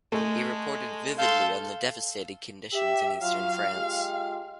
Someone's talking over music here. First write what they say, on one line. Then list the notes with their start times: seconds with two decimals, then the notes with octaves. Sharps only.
He reported vividly on the devastated conditions in eastern France.
0.12 G#3 A3
1.18 A4 F5 C6 G6
2.73 G4 E5
3.22 F#3 F4 F5
3.74 G#3 F4 G4